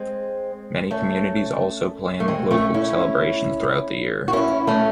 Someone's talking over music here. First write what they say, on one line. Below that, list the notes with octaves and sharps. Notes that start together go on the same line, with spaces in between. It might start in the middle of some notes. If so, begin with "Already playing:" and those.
Many communities also plan local celebrations throughout the year.
Already playing: G#3 C4
A3 C#4
A3
G#3 C4
A3 C#4
C#4 E4
F#4
C#4 E4
A3 C#4